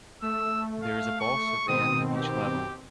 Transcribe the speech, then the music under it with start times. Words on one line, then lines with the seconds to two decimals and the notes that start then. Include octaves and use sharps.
There is a boss at the end of each level.
0.22 A3 E6
0.82 F5
1.20 C#6
1.68 B2 D#3 C4 D#6
2.16 G4